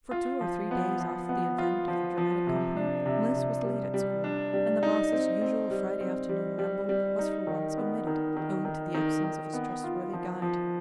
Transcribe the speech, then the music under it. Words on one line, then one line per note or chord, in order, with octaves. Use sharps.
For two or three days after the advent of the dramatic company, Mliss was late at school, and the master's usual Friday afternoon ramble was for once omitted, owing to the absence of his trustworthy guide.
F4
F3
B3
F3
B3
F4
F3
F3
C3
D4
C3
C3
G3
G3
D4
G3
D#4
C4
C4
G3
C4
G3
G3
G3
D#4
D#3
B3
D#3
D#3
D#3
D#3
D#3
B3
F4
F3
F3